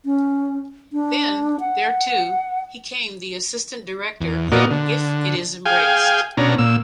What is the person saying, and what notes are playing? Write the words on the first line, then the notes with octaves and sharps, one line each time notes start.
Then, there, too, he came the assistant director and if it is embraced.
C#4
D4
F#5
E2
A#2 B3 F#4 A#4 D5 D#5
D3
G#4 F5 G5 G#5
B2 C#4 D4 A#5
A#2 E6